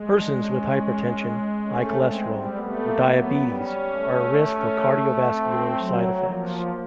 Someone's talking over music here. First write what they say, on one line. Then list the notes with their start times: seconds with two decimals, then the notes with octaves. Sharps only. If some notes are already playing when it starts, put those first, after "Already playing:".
Persons with hypertension, high cholesterol, or diabetes are at risk for cardiovascular side effects.
Already playing: G#3
0.13 D4
0.43 C#4
1.65 A3 C#4
1.95 G#3
2.11 C4
2.26 G3
2.56 A3 B3
2.87 A#3
3.02 B3
3.17 F#3
3.48 G3 C#4
3.94 A3
4.40 C#4
5.31 C4
5.77 F#3
6.23 F3 A#3